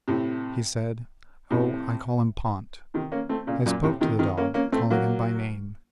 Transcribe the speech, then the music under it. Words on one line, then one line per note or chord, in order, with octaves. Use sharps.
He said, "Oh, I call him Pont." I spoke to the dog, calling him by name.
A2 C3
A2 C3
C3 D#3
A#3 C#4
A3 C4
A#2 C#3
F#2 A#2
A2 C3
C3 D#3
C3 D#3
A#3 C#4
A#3 C#4
A3 C4
F#3 A#3